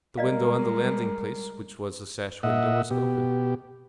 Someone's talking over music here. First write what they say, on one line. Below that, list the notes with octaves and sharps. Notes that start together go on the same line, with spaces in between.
The window on the landing-place, which was a sash-window, was open.
G3 G#3 A#4 D5 D#5 F5
A#2 D#5 E5 F#5
B2 G4